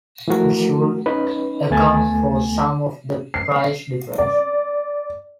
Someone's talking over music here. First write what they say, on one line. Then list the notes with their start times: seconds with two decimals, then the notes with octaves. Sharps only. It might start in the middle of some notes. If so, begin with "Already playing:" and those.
This would account for some of the price difference.
0.28 E3 F3 A3 F#4 A#4
1.06 C#4 D#4 B4
1.70 D2 A3 B3 G#5 A6
3.34 C7
4.18 D5